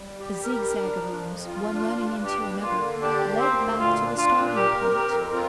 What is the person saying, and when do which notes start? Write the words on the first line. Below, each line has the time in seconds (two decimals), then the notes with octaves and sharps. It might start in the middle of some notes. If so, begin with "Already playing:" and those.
A zigzag of rooms, one running into another, led back to the starting-point.
Already playing: G3
0.19 G4
0.44 G3 A#4
0.69 D4
0.96 F3
1.22 F2
1.47 F4
1.73 D4
1.98 G2
2.24 D4 G4
2.50 A#3
2.63 F4
2.76 D3
3.02 D4 G4
3.27 A#3
3.39 C4
3.53 D2
3.78 A#2 F4
4.04 D4
4.18 F4
4.30 A#2
4.56 G4 A#4
4.82 C4
4.94 G4
5.07 F2
5.32 F4 A#4